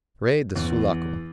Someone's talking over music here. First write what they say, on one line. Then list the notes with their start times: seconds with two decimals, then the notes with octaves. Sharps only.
Rey de Sulaco!
0.56 E2